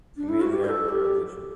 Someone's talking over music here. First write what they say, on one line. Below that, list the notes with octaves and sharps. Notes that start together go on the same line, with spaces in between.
Immediately after the Revolution.
D4
E4
F#4
G4
C5
A4
G4